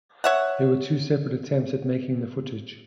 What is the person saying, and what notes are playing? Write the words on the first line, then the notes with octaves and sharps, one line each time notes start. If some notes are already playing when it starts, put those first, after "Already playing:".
There were two separate attempts at making the footage.
C#5 E5 F#5